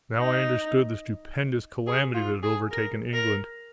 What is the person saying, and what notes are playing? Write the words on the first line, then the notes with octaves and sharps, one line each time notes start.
Now I understood the stupendous calamity that had overtaken England.
D#4
G#4
F4
G#4
A#4
A#4